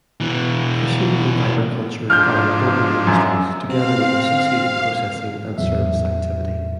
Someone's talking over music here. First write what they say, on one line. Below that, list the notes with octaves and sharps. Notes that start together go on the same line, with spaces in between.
Fishing and agriculture are important industries, together with associated processing and service activity.
B2 E3
G#2 F3 D4 F6 G6
F#2
C4 F5
E2 A2 F#3 E5